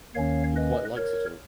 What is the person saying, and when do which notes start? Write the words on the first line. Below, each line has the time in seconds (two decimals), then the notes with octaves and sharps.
He quite likes it all.
0.15 D#2 D#3 A#3 C#4 C#5 F5
0.56 B4 D#5
0.97 A#4 C#5